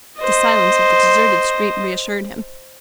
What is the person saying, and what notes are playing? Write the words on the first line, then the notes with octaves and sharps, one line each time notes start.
The silence of the deserted street reassured him.
C5 D#5